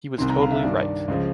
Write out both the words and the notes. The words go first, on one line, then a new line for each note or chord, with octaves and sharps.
He was totally right.
C2 C3 D#3 C6
A#5
F5
E5
G2 D#3 D5
C#2 C#3 F3